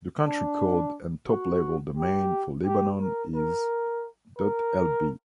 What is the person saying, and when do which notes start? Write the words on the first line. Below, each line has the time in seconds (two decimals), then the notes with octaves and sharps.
The country code and top-level domain for Lebanon is ".lb".
0.23 D4
1.28 F#4
1.97 G4
2.66 G4
3.00 A#4
3.35 A#4
4.38 A#4